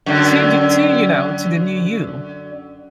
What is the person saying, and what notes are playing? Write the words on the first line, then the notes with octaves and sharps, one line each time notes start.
To do to, you know, to the new you
F#2 D3